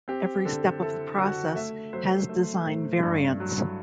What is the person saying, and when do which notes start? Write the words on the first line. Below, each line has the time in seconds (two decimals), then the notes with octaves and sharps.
Every step of the process has design variants.
0.08 C4 G4
0.45 D3 A4
0.82 E4 A4
1.18 D3 F#4
1.55 A3 E5
1.93 F#3 C5
2.29 A3
2.66 A2
3.03 G2
3.40 F#3